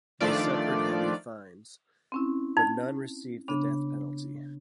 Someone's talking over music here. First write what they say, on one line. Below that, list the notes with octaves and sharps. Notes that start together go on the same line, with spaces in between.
They suffered heavy fines, but none received the death penalty.
D#3 F3 A3 D4 F4 D5
C4 C#4 E4
D#4
C#3 B3 D4